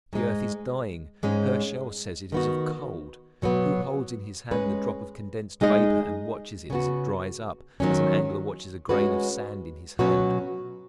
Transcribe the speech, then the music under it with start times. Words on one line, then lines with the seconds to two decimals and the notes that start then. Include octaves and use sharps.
The earth is dying; Herschell says it is of cold; who holds in his hand the drop of condensed vapor and watches it as it dries up, as an angler watches a grain of sand in his hand?
0.13 G#2 G#3 D#4
1.23 G#2 G#3 C#4
2.32 D#3 B3 F#4
3.42 B2 F#3 B3
4.51 G#3 C#4 B4
5.61 G#3 D#4 G#4 D#5
6.70 C#3 B3 F#4
7.80 D#3 F#3 C#4
8.89 G#3 C#4 F#4 B4
9.99 B2 F#3 C#4 F#4 B4